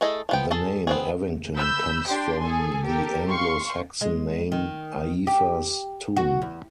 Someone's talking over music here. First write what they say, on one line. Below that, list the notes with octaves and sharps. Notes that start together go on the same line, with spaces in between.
The name Evington comes from the Anglo-Saxon name Aefa's Tun.
A3 E4 G#4 A4 D#5
F3 B3 G5
G#4 A4 A5
B3 C4 G#4
B5 E6 G6
D4 G4 G5 C6
G#4 A4 G#5
G4 A4 A#4
F5 C6 C#6
G#3
D#3
G4
F#4
E2